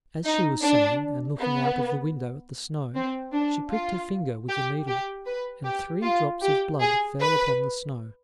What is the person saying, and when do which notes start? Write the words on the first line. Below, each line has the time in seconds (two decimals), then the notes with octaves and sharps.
As she was sewing and looking out of the window at the snow, she pricked her finger with the needle, and three drops of blood fell upon the snow.
0.25 D#4
0.63 D4
1.40 B3
2.95 C4
3.32 D4
3.71 F4
4.49 G4
4.87 G4
5.25 B4
5.64 G4
6.02 F4
6.41 G4
6.81 G#4
7.19 B4